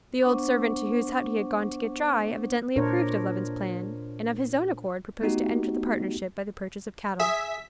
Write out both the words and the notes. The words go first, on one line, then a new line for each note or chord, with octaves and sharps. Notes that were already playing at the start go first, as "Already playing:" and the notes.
The old servant to whose hut he had gone to get dry evidently approved of Levin's plan, and of his own accord proposed to enter the partnership by the purchase of cattle.
B3 D4 C5 F#5 C#6 D6
A#2 D4 A#4 C5 C#5
A3 B3 D#4 F#4 G4
G#4 E5 B6